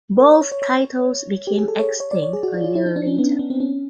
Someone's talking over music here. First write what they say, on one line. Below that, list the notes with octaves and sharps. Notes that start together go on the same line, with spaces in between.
Both titles became extinct a year later.
A#4
C#5
C#5
C#5
C#5
G4
G#4
A4
C#5
C#5
D5
C#5
G#4
F#4
F4
F4
E4
D#4
D4
C#4
B3
B3
C4
C#4